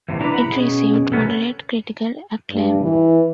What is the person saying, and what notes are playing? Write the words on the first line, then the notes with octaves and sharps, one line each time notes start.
It received moderate critical acclaim.
A2 C3 E3
D4 E4 B4 A#5
F#5 B5
B2 C#4 G#4
C3 B3 C#4 A4 A#4
G2
E3